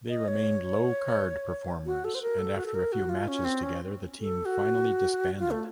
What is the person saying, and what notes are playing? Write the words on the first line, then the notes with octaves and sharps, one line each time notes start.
They remained low-card performers, and after a few matches together, the team finally disbanded.
D#5
C#5
F#4
A4
C5
A#4
A4
F#4
A4
A#4
F#4
F4
C#4
C4
C#4
A4
F#4
F4
A3